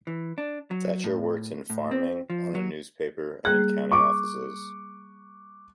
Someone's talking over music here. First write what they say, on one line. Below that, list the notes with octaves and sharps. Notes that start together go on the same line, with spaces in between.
Thatcher worked in farming, on a newspaper and in county offices.
E3
D4
F#3
A2
A2
C4
F3
F#3
G3 A#3 G#4 F#6
C#6 D6